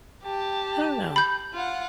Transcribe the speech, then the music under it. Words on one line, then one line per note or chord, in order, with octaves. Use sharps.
I don't know.
G4 A5
B5 G6
F4 F#5